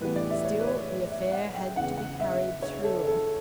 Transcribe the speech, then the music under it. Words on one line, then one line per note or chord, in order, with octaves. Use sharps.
Still, the affair had to be carried through.
A2 E3 G3 B3 B4
D5
E5
C#5
B4
C#5
D5
E5
F#5
G5
E2 C#3 E3 B3 F#5
F#5
E5
C#5
A4
A4